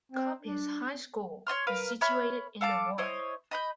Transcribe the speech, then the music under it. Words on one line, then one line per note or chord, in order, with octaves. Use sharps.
Coppice High School is situated in the ward.
C4
D4
C#5 D#5 C6 F6
A#4 B4 F5
C#5 E5 B5 F6
A4 F5 A5 D6
E4 C5 C#5 D#5
D#5 B5 G6